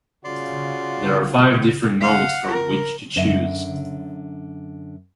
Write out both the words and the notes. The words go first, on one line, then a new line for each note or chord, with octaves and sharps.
There are five different modes from which to choose.
C#3 F4 F#4 D5 C6
F5 F#5
A#4
F#2 D3 C#5 D#5 E5